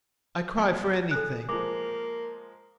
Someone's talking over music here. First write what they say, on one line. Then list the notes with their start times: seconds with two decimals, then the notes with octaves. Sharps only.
I cry for anything.
0.57 B1
1.11 G#4 A4 F#6
1.49 F3 G#3 A#3 D6